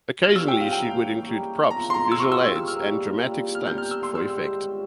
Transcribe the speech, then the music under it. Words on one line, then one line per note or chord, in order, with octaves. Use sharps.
Occasionally she would include props, visual aids, and dramatic stunts for effect.
G2 F3 G#3 C#4 F6
E6
G5
F5
E3 A#3 E4 G#4 G5
G3 C#4 G4 A#4
F3 G#3 C4 E4 A#5
C6
A#5
E6
F3 G#3 E4 G4 C#6
E6
E6
G#2 G3 A#3 C#4 F6
A#2 G3 C4 E4
F6
G3 C4 E4 A#4 G6
F6
E6
C6
G#2 G3 C4 G4 E6
G3 C#4 F4